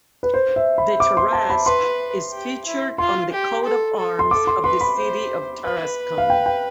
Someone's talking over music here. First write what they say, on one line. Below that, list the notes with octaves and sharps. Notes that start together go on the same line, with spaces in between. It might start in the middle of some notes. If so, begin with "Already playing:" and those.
The Tarasque is featured on the coat of arms of the city of Tarascon.
B4
C5
E5
B5
D6
C6
A5
B5
B4 C6
G4
E4
F4 C6
G4
A4
A4
C6
A4 D6
C6
B4 C6
B5
C5
B4
F5
G5
G5